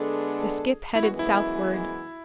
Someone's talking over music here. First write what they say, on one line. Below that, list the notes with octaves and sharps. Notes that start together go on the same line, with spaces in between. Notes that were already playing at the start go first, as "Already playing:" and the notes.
The skiff headed southward.
Already playing: D3 G#3 B3 D4 G#4 A4
E4
F#2 E3 G#3 B3 F#4
E4
E4